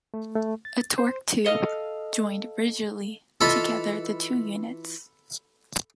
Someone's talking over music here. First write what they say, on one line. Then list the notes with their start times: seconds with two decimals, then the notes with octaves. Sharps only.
A torque tube joined rigidly together the two units.
0.14 A3
0.35 A3
0.65 A6
0.98 C5
1.44 A4 D#5 F5 F6
3.41 E3 F4 A4 D#5 B5